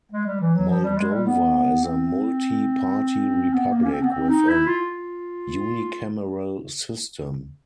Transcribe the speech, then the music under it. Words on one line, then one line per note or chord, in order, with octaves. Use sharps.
Moldova is a multi-party republic with a unicameral system.
G#3
G3
E3
F#3
F3
G3
G#3
G3
B3
C4
B3
A#3
C#4
C4
B3
C4
D#4
E4
F4